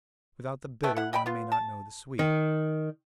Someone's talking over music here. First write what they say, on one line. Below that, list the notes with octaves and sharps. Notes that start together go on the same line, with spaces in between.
Without the bitter one may not know the sweet.
D#3 A3 B4 G5
E4 F#5
D#5 G5 G#5 B5
B3 F4
A5
D#3